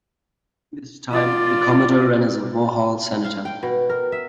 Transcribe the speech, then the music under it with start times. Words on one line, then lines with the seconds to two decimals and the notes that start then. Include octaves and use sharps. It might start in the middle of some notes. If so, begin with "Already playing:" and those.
During this time the Commodore ran as a Vauxhall Senator.
1.12 F4 D5
3.24 F5
3.45 G5
3.63 B2
3.90 A#4
4.12 E5